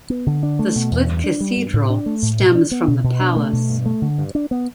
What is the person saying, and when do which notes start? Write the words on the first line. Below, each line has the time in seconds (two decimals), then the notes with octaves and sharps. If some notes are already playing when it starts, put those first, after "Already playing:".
The Split Cathedral stems from the palace.
0.10 B3
0.26 D3
0.43 D4
0.59 A3
0.76 B2
0.91 E2
1.08 G2
1.24 D4
1.41 G3
1.57 G2
1.73 A2
1.90 D4
2.06 A3
2.22 A2
2.39 B2
2.55 D4
2.71 B3
2.88 B2
3.04 B2
3.20 D4
3.36 A3
3.53 B2
3.70 G2
3.86 A3
4.02 D3
4.18 G2
4.35 D4
4.51 B3